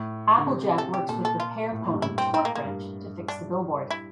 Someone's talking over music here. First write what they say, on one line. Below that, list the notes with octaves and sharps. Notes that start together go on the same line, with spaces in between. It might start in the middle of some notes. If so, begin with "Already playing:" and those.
Applejack works with repair pony Torque Wrench to fix the billboard.
Already playing: A2
D3
C3
A4
G4
A#2 A4
A4
F4
A2
A#2
G2
A2 E4
C4
C4
A#3
A#3
G2
D4
E4